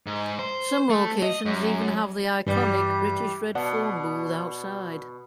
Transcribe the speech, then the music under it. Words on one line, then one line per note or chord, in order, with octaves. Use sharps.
Some locations even have the iconic British red phone booth outside.
G#2
C5
A3
D#5
F#2
G2 E3 G3
B2 D5 F#5 A5